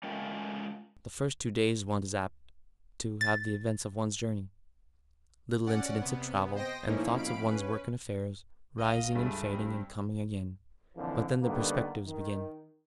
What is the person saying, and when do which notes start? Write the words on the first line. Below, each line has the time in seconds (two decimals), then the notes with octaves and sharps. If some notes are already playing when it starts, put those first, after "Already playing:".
The first two days one is apt to have the events of one's journey, little incidents of travel, and thoughts of one's work and affairs, rising and fading and coming again; but then the perspectives begin.
0.03 G#3 A3 C#4 F4 A#4 G5
3.21 A6
5.66 C#4 D5 F#5
6.01 C3 B3
6.55 C5 D#5 G5 A#6
6.85 A2 F3 A#3 C#4 D#4 E4
7.17 F2 B2 F5 B5 D7
7.46 C#4 B4
8.78 B1 D#5 F5
9.15 C#2 G2 A3 G#4
9.53 G1 C4
10.97 F2 A#2 D3 E3 F3
11.43 D3 D#3 G3 A#3 B3
12.07 D#3